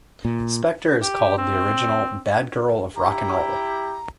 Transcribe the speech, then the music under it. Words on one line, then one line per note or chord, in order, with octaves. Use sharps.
Spector is called the original "bad girl of rock and roll".
A#2
G4
C4
E4 G4 A#5